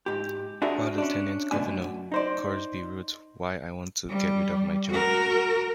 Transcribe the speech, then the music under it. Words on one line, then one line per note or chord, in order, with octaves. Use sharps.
While Lieutenant Governor, Crosby wrote Why I Want to Get Rid of My Job.
G#2 G4
D4 F#4 G#4 A#4 E5
C#4 D4
C#2 F#2 B2 A3 D4 G#5
F#2
D#4 C5 D5
G3
F#4 A#4